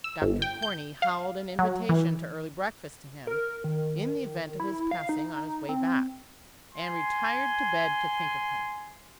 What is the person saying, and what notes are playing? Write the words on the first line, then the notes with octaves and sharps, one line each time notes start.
Dr. Corney howled an invitation to early breakfast to him, in the event of his passing on his way back, and retired to bed to think of him.
E6
G1
G5
G6
F5
F#3
E3
A#4
D#3
E4
F5
D#4
C4
G#5 C6